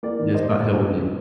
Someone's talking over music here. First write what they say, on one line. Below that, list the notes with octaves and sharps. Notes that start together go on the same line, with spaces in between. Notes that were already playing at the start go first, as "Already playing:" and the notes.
Yeah, it's not healthy.
A#3 D5
D#3
A#3 C5 D#5